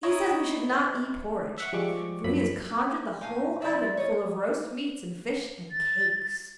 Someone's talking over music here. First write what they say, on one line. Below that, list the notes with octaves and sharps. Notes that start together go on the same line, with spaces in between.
'He says we should not eat porridge, for he has conjured the whole oven full of roast meats and fish and cakes.'
D#4 E4 C#5 D#5
E5 F#5 C#6
F3 G3 G#3 C#6 D6
F#2 F3 B5
A2 F5 G#5
F3 D5 E5
C#5 D#5
A6